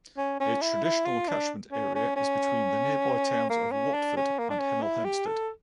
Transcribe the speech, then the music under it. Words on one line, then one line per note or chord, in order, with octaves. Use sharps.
Its traditional catchment area is between the nearby towns of Watford and Hemel Hempstead.
C#4
C#4
E4
E4
F4
D4
C#4
C#4
C#4
A#3
C#4
D4
C#4
A#3
D4
C#4
E4
G4
A4